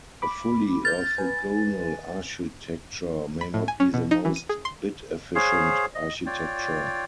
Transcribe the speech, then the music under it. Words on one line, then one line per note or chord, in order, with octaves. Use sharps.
A fully orthogonal architecture may not be the most "bit efficient" architecture.
B5 D6
F6 G6 A6
B4 G#5
B5
A2
G#5
C#4
B2
D#4
E3
D#7
G#4
C6
G#4 C5 C#5 F5
D#5
F4 C#5 D5 G5